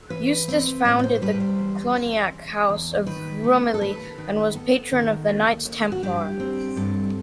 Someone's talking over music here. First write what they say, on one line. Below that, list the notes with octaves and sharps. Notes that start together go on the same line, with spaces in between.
Eustace founded the Cluniac house of Rumilly and was patron of the Knights Templar.
E3 B4
C4
A2 D#5
D#5
C5
G3 B4
C5
E2
E2
E2
E2
D#3 B4
A3
A4
D#2 B4
D#3
B3 A4
D#3
D#2
D#2
F#4
G2 G4
C4
G2 A4